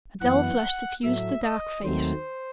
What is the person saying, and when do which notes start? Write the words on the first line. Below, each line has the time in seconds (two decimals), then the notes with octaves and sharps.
A dull flush suffused the dark face.
0.21 F#2 E3 B3 F#5
1.03 A2 F#3 A3 E5
1.43 D#5
1.84 D#2 D#3 F#3 A3 C4 C5